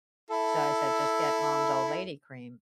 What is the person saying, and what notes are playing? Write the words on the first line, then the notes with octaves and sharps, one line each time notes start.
So, I said, "Just get mom's old lady cream,"
E4 A4